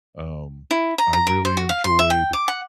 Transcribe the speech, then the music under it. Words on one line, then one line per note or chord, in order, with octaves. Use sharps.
um, I really enjoyed.
E4
A#5
A#5
A#4
C5
F#4
F5
C6
E5
G5
D6
F#5